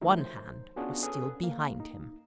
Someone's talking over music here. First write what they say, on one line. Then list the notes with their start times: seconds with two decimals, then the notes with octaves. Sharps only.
One hand was still behind him.
0.01 D#3 F3 F#3 A3 D#4
0.21 C5
0.76 B3 C#4 D4 F4 F#4 G#4
1.03 C#4 G#4 A4 B4
1.43 A#3
1.80 D#4